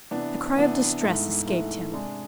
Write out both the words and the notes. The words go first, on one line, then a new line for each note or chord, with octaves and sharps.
A cry of distress escaped him.
C3 E3 B3 D4
C3 E3 B3 D4
G#2 E3 A3
G#2 E3 A3
C3 G#3 D4